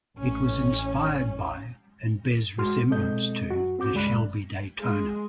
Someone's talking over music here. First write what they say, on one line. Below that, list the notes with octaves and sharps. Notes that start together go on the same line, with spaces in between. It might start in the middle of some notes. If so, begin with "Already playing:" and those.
It was inspired by and bears resemblance to the Shelby Daytona.
A1 C#4
G#2 G#3 F#4 C6 F6
B2 G#3 C4 A4 D#5 G6
F#2 F#4
C4 F#4 D6 G6
C#2 G2 G#3 D5 B5 F#6
G#3